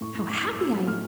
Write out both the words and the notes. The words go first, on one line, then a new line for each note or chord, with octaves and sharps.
How happy I am!
A2 C#6
A2
A2 D6
A2
A3 E6
F3
A2 F6